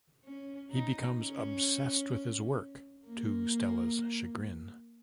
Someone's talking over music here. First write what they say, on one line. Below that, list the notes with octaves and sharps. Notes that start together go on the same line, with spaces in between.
He becomes obsessed with his work, to Stella's chagrin.
C#4
D#4
C#4
A#3